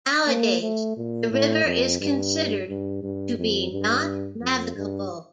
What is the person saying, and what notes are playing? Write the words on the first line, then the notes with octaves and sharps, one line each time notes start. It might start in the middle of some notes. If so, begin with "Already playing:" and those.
Nowadays the river is considered to be not navigable.
A#3
A3
A#2
A2
F2
G2
G2
G2
F2
G2
F2
G2